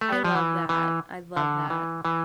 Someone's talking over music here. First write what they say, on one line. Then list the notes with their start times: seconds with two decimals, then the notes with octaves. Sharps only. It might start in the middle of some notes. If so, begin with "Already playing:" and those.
I love that. I love that.
0.01 A3
0.12 B3
0.24 F3
0.35 E3
0.69 E3
1.36 D3
1.70 E3
2.05 E3